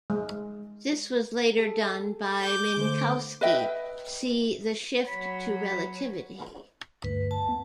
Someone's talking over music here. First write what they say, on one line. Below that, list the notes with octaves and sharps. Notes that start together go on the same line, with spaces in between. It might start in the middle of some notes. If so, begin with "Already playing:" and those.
This was later done by Minkowski, see "The shift to relativity".
G#3
G#4 A4
D6 G6
D3 A3 C5
B4 D#5 E5 G5
F#3 F#4 C#5 B5
D2 G2 B4
A5
B3